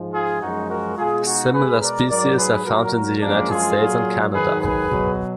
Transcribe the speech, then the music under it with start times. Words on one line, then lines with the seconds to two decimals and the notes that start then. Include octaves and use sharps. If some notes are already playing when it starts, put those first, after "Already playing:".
Similar species are found in the United States and Canada.
Already playing: G#2 F3 G#3
0.13 F4 G#4
0.41 F#2 F3 G#3 D#4 F#4
0.69 F#4 A#4
0.97 B2 G#3 F4 G#4
1.25 D#4 F#4
1.53 B2 G#3 G#4 B4
1.81 A#4 D5
2.09 G#2 F#3 A#4 D5
2.37 G#4 B4
2.66 A#2 F#3 F#4 A#4
3.22 F#2 F3 G#3 A#3 D4
3.49 F4 G#4
3.77 A#2 F#3
4.33 G#2 D#3 F#3 G#4 B4
4.62 G#4 B4
4.90 B2 F#3